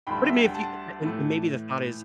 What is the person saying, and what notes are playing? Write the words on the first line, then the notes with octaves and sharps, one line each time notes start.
But I mean if you and and maybe the thought is,
D2 D3 G3 G5 B5
E5
F#5
G5
F#5 A5
A2 E3 A3